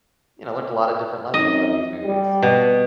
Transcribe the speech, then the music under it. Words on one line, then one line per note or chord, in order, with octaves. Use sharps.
you know, learned a lotta different lessons from these movies.
F#2 C4 D#4 D#5
G3
B2